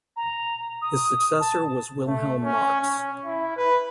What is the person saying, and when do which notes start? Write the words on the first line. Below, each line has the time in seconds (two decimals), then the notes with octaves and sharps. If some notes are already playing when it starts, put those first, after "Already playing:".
His successor was Wilhelm Marx.
0.16 A#5
0.82 D#6
1.40 A5
2.07 A3
2.44 C#4
2.81 C#4
3.25 E4
3.56 B4